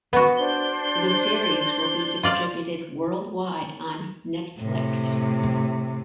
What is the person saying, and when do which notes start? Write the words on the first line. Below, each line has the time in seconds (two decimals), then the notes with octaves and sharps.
The series will be distributed worldwide on Netflix.
0.13 B3 F#4
0.37 D4 C5 G7
2.23 F4 C5 D5 F5 C6
4.59 A2 C3